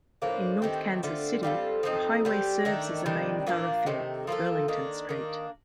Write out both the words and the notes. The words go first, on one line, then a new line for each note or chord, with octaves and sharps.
In North Kansas City, the highway serves as a main thoroughfare, Burlington Street.
A2 F3 A#3 D4
D#3 A3 C4 G4
D3 A3 C4 F4
G3 C4 F4 A4
F3 C4 D#4 A4
G3 C4 G4
D#3 A3 D4
C3 D#3 G3 D4
A#2 F3 A#3 D4
C3 D#3 A3
F3 A#3 F4 A4
D#3 A#3 D4
D#3 A#3 D4